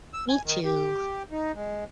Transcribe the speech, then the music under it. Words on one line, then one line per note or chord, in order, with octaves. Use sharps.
Me too.
E6
G#5
D#3
G4
D#4
G#3